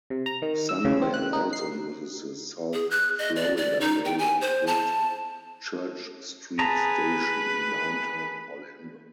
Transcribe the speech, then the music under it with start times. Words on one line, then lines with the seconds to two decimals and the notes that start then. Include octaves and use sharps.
SunRail also uses the South Florida Railroad-built Church Street station in downtown Orlando.
0.10 C3
0.26 A#5
0.42 D#3
0.69 E6
0.85 C#3
1.02 C4
1.14 F#6
1.33 D#4
1.53 C7
2.74 G#4
2.91 F#6
3.19 D#5
3.36 D5
3.57 D5
3.81 D#4
4.05 G5
4.18 G#5
4.41 C5
4.67 A5
6.59 G#4 B4 A5 A#5